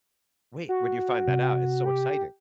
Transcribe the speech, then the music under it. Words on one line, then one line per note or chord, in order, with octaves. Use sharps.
"Wait, where'd you find that out? It's so exciting."
F#4
C3
G4